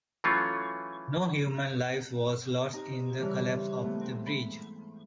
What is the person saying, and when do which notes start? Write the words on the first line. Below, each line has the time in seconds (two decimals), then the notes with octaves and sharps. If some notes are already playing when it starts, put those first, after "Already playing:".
No human life was lost in the collapse of the bridge.
0.24 E3 F#3 A3 C#4 F4
2.73 C4 D#4 G4 A#5
3.18 G2 C#3 E3 C4 F6
3.81 G#2 A3 B3
4.01 C4
4.26 B5